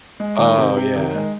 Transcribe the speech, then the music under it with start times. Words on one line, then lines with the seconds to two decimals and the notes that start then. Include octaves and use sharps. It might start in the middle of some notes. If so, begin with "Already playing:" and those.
Oh, yeah.
0.20 G#3
0.39 D#3
0.58 C3
0.77 C3
0.96 D#3
1.15 G#3